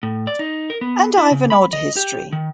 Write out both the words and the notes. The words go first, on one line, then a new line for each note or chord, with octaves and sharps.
And I’ve an odd history.
A2
D5
D#4
A#4
B3
E4
C#3
B5
D#5
G4
D#3